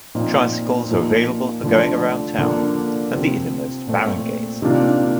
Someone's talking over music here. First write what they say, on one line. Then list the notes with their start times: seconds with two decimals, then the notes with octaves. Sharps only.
Tricycles are available for going around town and the innermost Barangays.
0.15 A#2 F3 C4 D#4
0.89 A#2 F3 A#3 D#4
1.64 D3 F3 A3
2.38 D3 F3 A#3 D4
3.13 C3 F3 C4
3.87 A#2 A3 C4
4.62 C3 D#3 A#3 D4 F4